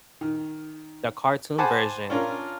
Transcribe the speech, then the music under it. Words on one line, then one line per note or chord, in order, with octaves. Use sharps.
the cartoon version,
D#3
C5 F#5 G#5 A5 B5 D6
C#4 D4 F4 A#4